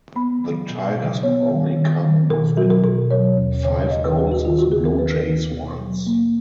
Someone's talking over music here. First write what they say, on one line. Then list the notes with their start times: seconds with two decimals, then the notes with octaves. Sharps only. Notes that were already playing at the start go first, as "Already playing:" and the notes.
The Tigers would only come within five goals of the Blue Jays once.
0.16 B3 B5
0.42 F#3
0.70 B2
0.96 F#3
1.23 B3 C#5
1.50 D#3
1.77 D#3
2.04 D#3
2.30 B2 A#4
2.57 F#3 F#4
2.70 A#4
2.84 B2 A#4
3.11 F#3 C#5
3.38 D#2
3.65 C#3 C#5
3.91 D#2 D#5
4.05 B4
4.18 D#2 G#4
4.32 F#4
4.45 D#3 F4
4.58 F#4
4.72 D#2 G#4
4.85 A#4
4.99 D#3 B4
5.26 D#2
5.52 B2
5.79 F#3
6.07 A#3